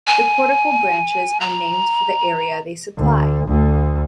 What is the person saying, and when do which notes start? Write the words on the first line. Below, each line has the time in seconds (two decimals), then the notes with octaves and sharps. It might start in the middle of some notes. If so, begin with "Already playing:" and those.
The cortical branches are named for the area they supply.
0.07 G#5
1.41 A#5
2.97 D2
3.48 D2